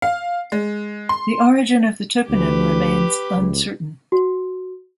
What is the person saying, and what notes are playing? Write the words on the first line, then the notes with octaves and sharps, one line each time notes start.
The origin of the toponym remains uncertain.
F5
G#3
C6
D2 G4 B4
C#2
F#4